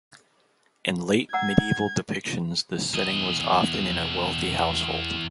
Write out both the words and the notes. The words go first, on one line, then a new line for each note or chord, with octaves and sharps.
In late medieval depictions the setting was often in a wealthy household.
F#5 A#5 E6 G#6
E2 D#5